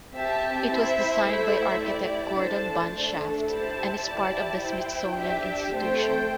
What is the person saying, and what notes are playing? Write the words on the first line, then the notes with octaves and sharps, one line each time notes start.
It was designed by architect Gordon Bunshaft and is part of the Smithsonian Institution.
C4 G4 E5 A5
E4 C5 E5
A3 E4 C5 E5
E4 G4 D5
A3 D4 A4 C5 A5
A3 D4 A4
E4 G4 C5 A5
E4 G4 D5 A5
E4 C5 G5
D4 G4 E5
A3 C4 A4 C5 G5